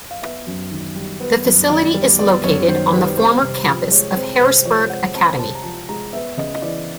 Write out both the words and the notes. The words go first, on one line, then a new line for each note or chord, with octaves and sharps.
The facility is located on the former campus of Harrisburg Academy.
F5
B3 E5
F#2
D#3
G3
B3
F#2
D#3 D5
G3
B3 D5
F#2 C#5
D#3 C5
G3 B4
C4 C5
C3
F3
G#3 C#5
C4 C5
C3 C5
F3 C#5
G#3 F#5
C4 A5
C3 A5
A#5
F3 A5
G#3 A#5
B3 E5
C#3 D#5
D#5
E3 D5